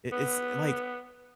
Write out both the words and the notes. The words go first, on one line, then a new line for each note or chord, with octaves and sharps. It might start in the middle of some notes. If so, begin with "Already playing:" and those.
It it's like,
B3